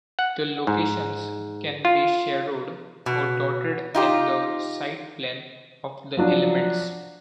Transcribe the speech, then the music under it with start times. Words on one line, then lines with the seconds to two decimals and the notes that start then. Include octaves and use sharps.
The locations can be shadowed or dotted in the siteplan of the elements.
0.19 F#5
0.67 G#2
1.85 F4
3.06 B2
3.95 D#4 F4 G4
6.17 F3 F#3 D4